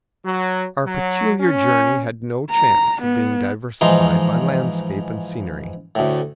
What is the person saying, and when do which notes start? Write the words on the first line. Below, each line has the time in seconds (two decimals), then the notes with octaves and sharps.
Our peculiar journey had no chance of being diversified by landscape and scenery.
0.24 F#3
0.85 F#3
1.41 C#4
2.51 A#5
3.02 B3
3.81 G#2 E3 F3 D#4 C6
5.95 D2 A2